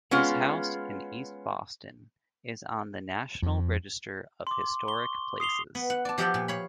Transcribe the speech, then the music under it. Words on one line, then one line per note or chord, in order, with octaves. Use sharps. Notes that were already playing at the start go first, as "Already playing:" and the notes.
His house in East Boston is on the National Register of Historic Places.
G#3 B3 C#4 F4
F2
C6 D6
C6 C#6 G7
D#6 C7 F7 G7
B3
F#5
D5 A5
F3 G4 E5 F#5 G5 A5
A#2
C#5 F5 B5